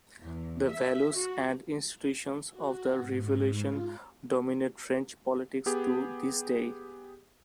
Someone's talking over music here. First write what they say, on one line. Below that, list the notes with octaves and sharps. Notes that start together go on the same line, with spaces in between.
The values and institutions of the Revolution dominate French politics to this day.
E2
E5
F#4
F#4
G#2
F4
B3 G4 G#4